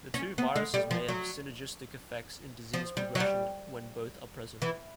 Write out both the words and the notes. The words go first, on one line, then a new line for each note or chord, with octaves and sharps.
The two viruses may have synergistic effects in disease progression when both are present.
C#4
B3
G#3
G3
F3
F#3
F3
G3
F#3
G3
E3